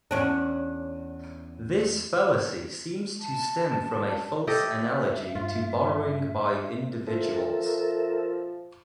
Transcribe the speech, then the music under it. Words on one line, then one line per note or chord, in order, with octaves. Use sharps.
This fallacy seems to stem from a false analogy to borrowing by individuals.
E2 C#4 D4
A5
G4 A4 D#5 E5
G2 F4
F3 A4 A#4 E5